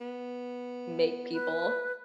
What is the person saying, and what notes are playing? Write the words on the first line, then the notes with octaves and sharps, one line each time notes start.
make people
B3
B4